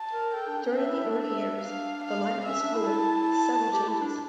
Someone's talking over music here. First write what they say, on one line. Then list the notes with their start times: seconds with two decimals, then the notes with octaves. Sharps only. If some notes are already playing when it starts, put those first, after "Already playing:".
During the early years, the lineup was fluid, with several changes.
Already playing: A5
0.13 A#4
0.34 A4 G5
0.48 D4
0.62 C#4
0.76 D4 E5
0.90 E4
1.03 D4
1.18 E5
1.61 D4 F5
2.03 F5
2.45 C#4 E5
2.60 D4
2.74 E4
2.88 A5
3.73 G4
3.88 E4
4.01 D4